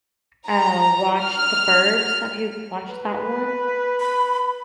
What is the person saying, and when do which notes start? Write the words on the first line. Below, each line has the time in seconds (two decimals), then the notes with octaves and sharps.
uh, watched The Burbs. Have you watched that one?
0.48 A#5
1.23 F6
2.90 B4
4.00 B5